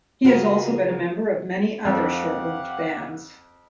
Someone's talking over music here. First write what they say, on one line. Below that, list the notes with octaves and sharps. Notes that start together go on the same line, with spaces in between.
He has also been a member of many other short-lived bands.
C#3 F4 F#4 G#4 A#4 B4
F2 G4 F5 F#5